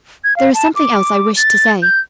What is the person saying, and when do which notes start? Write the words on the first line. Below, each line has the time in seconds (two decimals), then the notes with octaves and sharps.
There is something else I wished to say.
0.24 G#6
0.36 F5
0.54 A5
0.76 D6
1.37 A6
1.82 G6